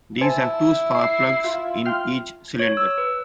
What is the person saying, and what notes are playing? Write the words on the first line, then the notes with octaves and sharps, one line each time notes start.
These have two spark plugs in each cylinder.
E4 C5 G#5 A5
C7
F4
G5 C6 F6
C#5
E6
B4